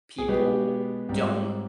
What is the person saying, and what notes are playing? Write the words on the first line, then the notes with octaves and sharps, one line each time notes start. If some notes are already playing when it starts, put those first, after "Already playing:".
people don't
G#4
B2 G#3 B3 G4
G#2 G3 C4 G4